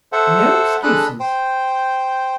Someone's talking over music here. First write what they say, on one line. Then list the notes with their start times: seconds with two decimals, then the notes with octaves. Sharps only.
No excuses!
0.12 A4 C5 E5 F#5
0.83 G#3 D4 A4 D#5 B5 F#6
1.20 C5 G5